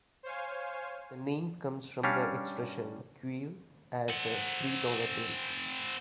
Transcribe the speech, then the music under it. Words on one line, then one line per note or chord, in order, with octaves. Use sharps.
The name comes from the expression "Queer as a three dollar bill".
C5 C#5 F5 G#5
G3 C#4 D4 F5
C4 F#5